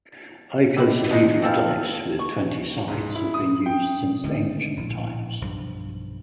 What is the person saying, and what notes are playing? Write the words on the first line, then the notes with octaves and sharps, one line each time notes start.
Icosahedral dice with twenty sides have been used since ancient times.
C3 D#3 B5
G#3 D#4
E3 C4 A4 F5
C#6
G#2
E4
D#6
G5
D3 D#3 G#3 A3
A#1 A2
B1 G2 F3